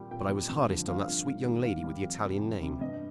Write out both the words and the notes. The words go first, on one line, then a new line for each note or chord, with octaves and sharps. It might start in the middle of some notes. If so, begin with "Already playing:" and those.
But I was hardest on that sweet young lady with the Italian name.
Already playing: A#2 G3 G5
A#2 G5
G3
G2
D3 F3
G2 F5
D3 F3
G#2
D#3 G3
G#2 F5
D#3 G3
F2
C3 G3
F2
C3 G3
G2 D#5